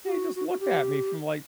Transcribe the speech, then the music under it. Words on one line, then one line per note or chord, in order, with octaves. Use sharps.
Yeah, he just looked at me from, like,
G4
F#4
F#4
F#4
G4